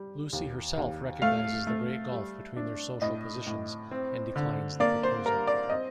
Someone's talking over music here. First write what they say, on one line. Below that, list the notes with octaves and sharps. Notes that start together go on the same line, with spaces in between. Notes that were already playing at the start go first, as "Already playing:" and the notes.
Lucy herself recognises the great gulf between their social positions and declines the proposal.
Already playing: G3
D#2
D#2
A3 F5
A3
G3
D4
A2 D#5
A2
C4
D3
A#3 D5
C5
G3 A#4
D5
C4 D#5